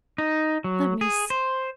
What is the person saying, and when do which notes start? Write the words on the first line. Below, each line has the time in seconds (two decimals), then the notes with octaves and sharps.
Let me see.
0.18 D#4
0.64 F#3
1.01 G#4
1.30 C5